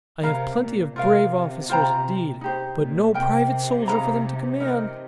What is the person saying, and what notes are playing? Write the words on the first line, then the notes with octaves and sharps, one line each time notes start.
I have plenty of brave officers, indeed, but no private soldier for them to command.
C3 A#4 F5 A#5
A#2
C3 F4 A#4 F5
F4 C5 G5 A#5
D#4 G4 C5
A#2
C3 A#4 D#5 G5
D#4 A#4 F5 A#5
C3 D#4 A#4 D#5